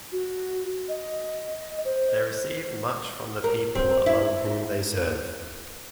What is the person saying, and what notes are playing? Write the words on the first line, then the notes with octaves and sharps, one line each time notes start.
They receive much from the people among whom they serve.
F#4
D#5
C5
A#4
C4
E4